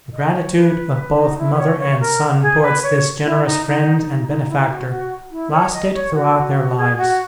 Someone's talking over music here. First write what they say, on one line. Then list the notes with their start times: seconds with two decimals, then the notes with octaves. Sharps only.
The gratitude of both mother and son towards this generous friend and benefactor lasted throughout their lives.
0.13 D#5
0.33 C#5
0.55 B4
1.17 D#4
1.38 E4
1.54 B4
1.59 C#5
1.79 C#5
2.00 A#4
2.41 G#4
2.62 B4
2.83 C#5
3.24 E4
3.45 D#4
3.66 D#4
3.97 D#4
4.27 D#4
4.49 E4
4.69 F#4
4.89 F#4
5.31 E4
5.52 C#5
5.73 D#5
5.93 C#5
6.14 F#4
6.77 G#4
6.97 F#4